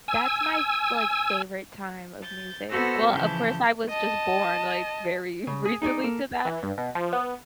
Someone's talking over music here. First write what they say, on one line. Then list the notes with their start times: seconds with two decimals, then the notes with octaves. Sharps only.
That's my, like, favorite time of music. Well, of course I was just born, like, very recently to that.
0.08 G#5 E6
2.22 G6 A6
2.69 B3 F#4 A4 C5 E6 A#6
3.11 C#3 E3 F3 A5 G6
3.89 D#5 A5
5.47 C#3
5.65 G#4
5.82 D#4 G#4 C#5 D5
6.04 A#3 A4
6.45 E3
6.63 G2
6.78 B2
6.95 F3
7.13 B3